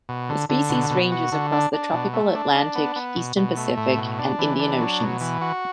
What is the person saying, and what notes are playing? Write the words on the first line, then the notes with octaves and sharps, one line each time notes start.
This species ranges across the tropical Atlantic, eastern Pacific, and Indian Oceans.
B2
D3
D3
B2
B2
F#4
D3
D4
D4
B2
A3
D4
D4
B3
B3
B2
B2
A3
A2
B2
D4
E3
D4
F#3
B2
E3
F#4